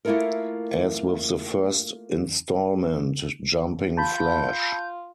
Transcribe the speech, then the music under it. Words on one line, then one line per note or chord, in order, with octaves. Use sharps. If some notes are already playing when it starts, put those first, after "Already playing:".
As with the first instalment, Jumping Flash!
A3 A#3 E4 F4 A4 A#4
F4 A5 B5 G6